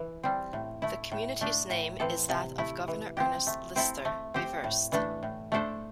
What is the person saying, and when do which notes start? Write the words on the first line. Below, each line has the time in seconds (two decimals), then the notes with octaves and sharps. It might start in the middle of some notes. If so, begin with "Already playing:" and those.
The community's name is that of Governor Ernest Lister, reversed.
Already playing: E3
0.23 G3 C4
0.53 A2
0.82 A3 E4
1.12 A2
1.41 A3 D4
1.70 A2
2.00 E3 C4 A4
2.29 C3
2.58 A3 E4
2.88 E3
3.17 C4 G4
3.47 A3
3.76 C4 E4 A4
4.05 A3
4.34 C4 G4 C5
4.64 A2
4.92 E3 A3 D4 A4
5.23 A2
5.52 A3 D4 A4 C5